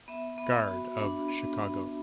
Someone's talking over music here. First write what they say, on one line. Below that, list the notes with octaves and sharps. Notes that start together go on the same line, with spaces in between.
Gard of Chicago.
B3 E5
B3 B5
F#4
D4 B5
B3
B3